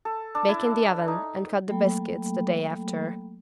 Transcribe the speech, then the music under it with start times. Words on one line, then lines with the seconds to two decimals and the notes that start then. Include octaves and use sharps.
Bake in the oven and cut the biscuits the day after.
0.05 A4
0.35 D4
0.48 E4
1.08 D#4
1.68 F#3 A3 A#3 A4 G5 B5